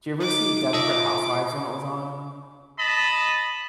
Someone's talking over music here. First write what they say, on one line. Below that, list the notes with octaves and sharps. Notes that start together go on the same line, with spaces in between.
Do you ever see Desperate Housewives when it was on?
D#4 D6
F4 A4 D#5 E5 D6
D#5 A5 B5